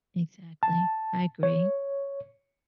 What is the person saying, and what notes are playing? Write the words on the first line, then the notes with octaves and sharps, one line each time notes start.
Exactly. I agree.
A5
C#5